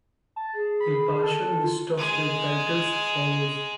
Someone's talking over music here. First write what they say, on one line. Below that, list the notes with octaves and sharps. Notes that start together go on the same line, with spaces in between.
A partial list of their titles follows.
A5
G#4
B5
A4
F4
G#3 G#4